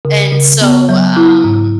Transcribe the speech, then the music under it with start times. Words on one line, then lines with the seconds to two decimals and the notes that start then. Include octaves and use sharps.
And so, um,
0.05 C#3
0.32 C#3
0.61 B3
0.89 F#3
1.16 E4
1.44 G#2